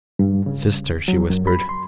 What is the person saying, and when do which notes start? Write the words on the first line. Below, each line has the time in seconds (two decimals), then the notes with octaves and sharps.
"Sister!" she whispered.
0.19 G2
0.46 C#3
1.08 F#3
1.30 F#2
1.47 B5
1.69 C6